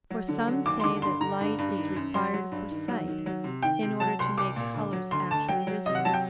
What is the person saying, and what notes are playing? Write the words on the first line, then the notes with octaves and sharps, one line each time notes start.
For some say that light is required for sight, in order to make colors actually visible.
F#3
D3
F#3
D#2 D6
C6
D3 D6
G2 C6
D3 A#5
G2
G2
D#3
F#2
F#3 C6
F#3
G2
D#3
F#3
D#3
F#3
C3
D#3 G5
C3
F#3 A5
C2 C6
C2 D6
A#2
D2
F#3
D2 C6
D2 A5
F#3 G5
F#3
C3 D#5
F#5
F#3 A5
G5